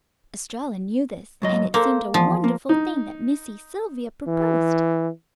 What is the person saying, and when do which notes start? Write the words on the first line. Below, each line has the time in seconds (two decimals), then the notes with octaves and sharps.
Estralla knew this, and it seemed a wonderful thing that Missy Sylvia proposed.
1.42 G#2 F#3 D#5
1.74 A#3 A4 C5
2.14 E2 F3
2.44 A#3
2.69 D#4
4.28 E3